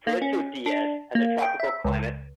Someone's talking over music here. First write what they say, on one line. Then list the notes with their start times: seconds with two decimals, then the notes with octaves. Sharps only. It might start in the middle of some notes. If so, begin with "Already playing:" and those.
Prieto Diaz has a tropical climate.
0.07 A#3
0.22 C#4
0.66 D4
1.15 A#3
1.42 G5
1.60 E5
1.84 C#2